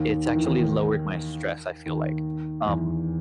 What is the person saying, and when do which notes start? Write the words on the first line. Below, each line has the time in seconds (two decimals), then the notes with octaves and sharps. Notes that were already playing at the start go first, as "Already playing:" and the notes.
it's actually lowered my stress, I feel like. Um,
Already playing: D#2 D#3
0.26 D#3
0.35 E3
0.44 D#2 D#3
1.86 D#2 D#3
2.66 E2 E3